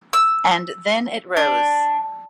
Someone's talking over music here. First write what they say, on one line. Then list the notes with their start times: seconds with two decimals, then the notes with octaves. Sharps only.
And then it rose.
0.13 E6
1.37 D4